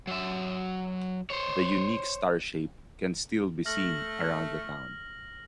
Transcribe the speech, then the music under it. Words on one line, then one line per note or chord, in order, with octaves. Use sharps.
The unique star shape can still be seen around the town.
F#3 E5
C5 C#5
A3 F6 A#6 F#7